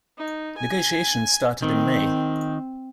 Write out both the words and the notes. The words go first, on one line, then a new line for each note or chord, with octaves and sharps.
Negotiations started in May.
D#4
G#5
D#3 C4